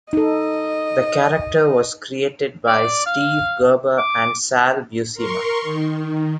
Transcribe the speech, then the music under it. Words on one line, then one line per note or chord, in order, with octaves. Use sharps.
The character was created by Steve Gerber and Sal Buscema.
D#4 A4 D#5
D5
F5
D6
A#4 C6 C#6
D#3